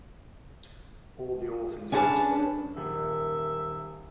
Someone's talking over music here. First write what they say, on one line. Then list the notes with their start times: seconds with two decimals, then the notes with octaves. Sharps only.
All the orphans had to wear them, you know.
1.92 C#4 D4 E4 G#4 B4 A5
2.77 D#1 A#4 E5